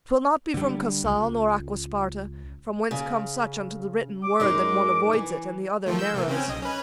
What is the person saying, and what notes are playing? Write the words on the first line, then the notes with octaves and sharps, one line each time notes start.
'Twill not be from Casal nor Acquasparta, From whence come such unto the written word That one avoids it, and the other narrows.
D3 G3
C#2
C#3
D6
F#2 G#3 D#4
E3
D#3 F3 A3
E6 G6
C3 A3 A#3
C#3 C4 C#4
B1 D#5
C#4 B4